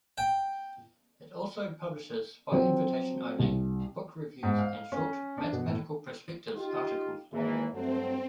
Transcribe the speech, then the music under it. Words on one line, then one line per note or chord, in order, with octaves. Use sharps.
It also publishes, by invitation only, book reviews and short "Mathematical Perspectives" articles.
G5
F3 F#3 C4
C2
G#2
F5
C#4
D4
B2
A2
D#4 F4 G4
G#1 E3 A#3
G2 F#3 A3 C4